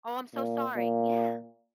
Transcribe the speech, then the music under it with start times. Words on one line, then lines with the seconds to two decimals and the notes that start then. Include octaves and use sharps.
Oh, I'm so sorry. Yeah.
0.34 A#2
0.77 A#2